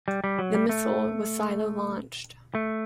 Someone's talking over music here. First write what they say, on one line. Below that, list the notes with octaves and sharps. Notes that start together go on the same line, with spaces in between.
The missile was silo-launched.
G3
G3
F#3
G3
A3
A3